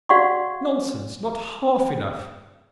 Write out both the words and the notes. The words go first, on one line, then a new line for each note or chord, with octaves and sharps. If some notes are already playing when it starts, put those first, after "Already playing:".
'Nonsense! not half enough.'
F#4 D5 F5 F#5 C6 C#6